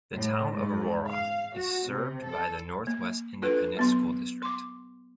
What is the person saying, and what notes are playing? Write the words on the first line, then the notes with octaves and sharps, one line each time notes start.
The Town of Aurora is served by the Northwest Independent School District.
A2
G#2
F5
F#4
C3
A4
A#3
D4 F4 A4 B4
F#3 B3 C6
C6 D6